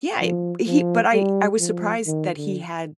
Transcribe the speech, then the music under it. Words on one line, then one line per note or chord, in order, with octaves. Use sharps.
Yeah, i he but I I was surprised that he had
F3
F3
G3
F3
D#3
D3